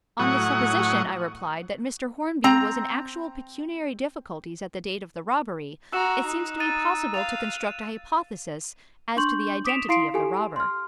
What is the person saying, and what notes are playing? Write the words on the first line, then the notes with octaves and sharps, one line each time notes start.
"On the supposition," I replied, "that Mr. Hornby was in actual pecuniary difficulties at the date of the robbery, it seems to me possible to construct a hypothesis as to the identity of the robber."
A2 F#3 F#5 C#6 D#6
C4 A#5
F#4 A#5 E6 F#6 E7
D#4
A6 D#7
F5 A6 F7
D4 C6 C#6 G6 F#7
D6 D#6 B6 D7 E7 F7
E4 F5 C6 C7 D7
G4 A4 G#5
C6 F6